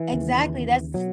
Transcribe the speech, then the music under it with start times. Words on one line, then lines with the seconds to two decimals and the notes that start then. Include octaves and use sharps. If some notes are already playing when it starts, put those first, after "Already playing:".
Exactly, that's
Already playing: E3
0.11 D#2 C#3
0.94 B2 F#3